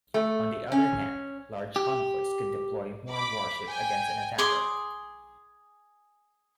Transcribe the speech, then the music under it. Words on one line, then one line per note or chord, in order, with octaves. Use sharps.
On the other hand, large convoys could deploy more warships against an attacker.
A3
C#4
G4
B5 D6
G5 G#5
G#4 C6 D6